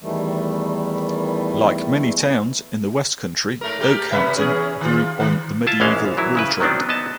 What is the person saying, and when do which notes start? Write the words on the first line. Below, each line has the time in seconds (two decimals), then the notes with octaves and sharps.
Like many towns in the West Country, Okehampton grew on the medieval wool trade.
0.02 E2 D#3 E3 G3 A3
3.61 G#2 A3 A#4
3.79 A3 G4 A#4
4.11 C3 B4 E5
4.36 E2 C#4 G#4
4.81 D#3 F4
5.20 D#3
5.67 E4 F4 E5 A5
5.80 A#1 G#2 E3 G#3 C#4 F5
6.17 E3 F#3 E4
6.35 C#3 E4 B4
6.60 D#3 F#3 B3 C4 D4
6.89 B3 D#5 A5